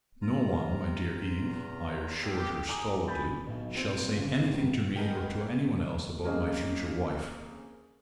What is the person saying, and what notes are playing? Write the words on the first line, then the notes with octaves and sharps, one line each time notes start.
"No one, my dear Eve," I assured her stolidly, "shall say anything to me or to any one else about my future wife."
C3 F4 A#5
E2
G4 A4 F5 D#6
G#5 A#5 D6 D#6
G#5 B5 G6 A6
B1 B2
A#2 C4
G1 C#3
C#2 F#2
G4 G#4 A#4 B4 D#5 F#5
A#3 C4 C#4 G#4 D#5 F5